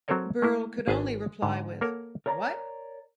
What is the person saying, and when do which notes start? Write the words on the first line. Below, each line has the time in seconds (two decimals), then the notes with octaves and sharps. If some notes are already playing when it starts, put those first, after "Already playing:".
Berle could only reply with, What?
0.08 F#3 C4 A4 A#4 C#5 D#5
0.42 A3 A#3 E4
0.88 G#1 G#4 B4 C5 G#5 A5
1.42 G#2 D3
1.81 A#3 A4 A#4 C#5 F#5
2.26 A#4 C#5 D5 A#5